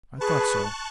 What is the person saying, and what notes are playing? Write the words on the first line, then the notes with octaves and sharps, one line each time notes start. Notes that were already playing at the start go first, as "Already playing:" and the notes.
I thought so.
G#4 B4 A5 C#6 F#6